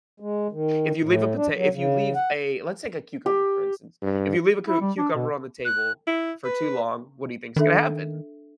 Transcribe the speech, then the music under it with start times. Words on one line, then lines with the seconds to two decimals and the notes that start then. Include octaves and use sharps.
If you leave a pota if you leave a let's take a cucumber, for instance. If you leave a cu cucumber on the table for too long, what do you thinks gonna happen?
0.20 G#3
0.52 D#3
1.03 A2
1.36 D4
1.54 F#3
1.72 C#3
2.15 F#5
3.26 G4
4.02 G2
4.68 E4
4.81 G3
4.98 D4
5.15 B2
5.65 F#6
6.07 E4
6.45 B4
7.56 D#3 D4 A4 E5